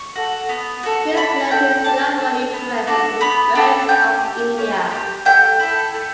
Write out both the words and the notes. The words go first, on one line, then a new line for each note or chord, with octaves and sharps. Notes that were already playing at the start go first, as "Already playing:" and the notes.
This led to his lifelong interest in the birds of India.
Already playing: C#6
F#4 A4
B3
F#4 A4
D4 B5
A4 G5
D4 A5
A4
B3
D4 F#4 A4
B3 B5
D4 F#4 A4
C#4 G5
G4
C#4
G4
A3 G5
E4 A4
A3